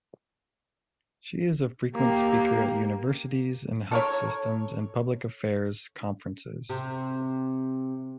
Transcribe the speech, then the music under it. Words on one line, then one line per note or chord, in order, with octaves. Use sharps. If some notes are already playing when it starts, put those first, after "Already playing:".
She is a frequent speaker at universities and health systems and public affairs conferences.
A#3 G4
A4 A#4 C#5
C3